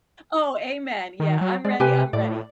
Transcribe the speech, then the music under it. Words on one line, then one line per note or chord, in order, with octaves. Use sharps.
Oh, amen. Yeah. I'm ready. I'm ready.
D#3
F#3
G#3 D5
C3 G4 B4 G#5
A2 D5